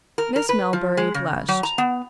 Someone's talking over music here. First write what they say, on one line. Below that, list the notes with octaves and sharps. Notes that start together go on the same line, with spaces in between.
Miss Melbury blushed.
A#4
A#4
B4
F3
G#3
C#3
F#3
A#5
B3